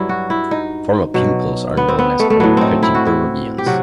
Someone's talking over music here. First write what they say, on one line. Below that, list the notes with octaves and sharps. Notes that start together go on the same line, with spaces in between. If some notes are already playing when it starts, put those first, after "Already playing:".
Former pupils are known as "Old Petriburgians".
Already playing: G2 F#3 E4
F#4
E4
D#4
B2 F#3
B3
C4
B3
A3
A3
A2 F#3 B3
C4 D#4
E4
F#4
E4
G4
C3 F#3 F#4